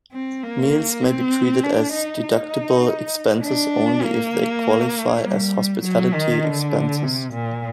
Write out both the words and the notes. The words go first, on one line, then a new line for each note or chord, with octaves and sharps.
Meals may be treated as deductible expenses only if they qualify as hospitality expenses.
C4
A#3
C4
D4
D#4
D#4
D4
A#3
G3
F#3
D#3
D3
C3
A#2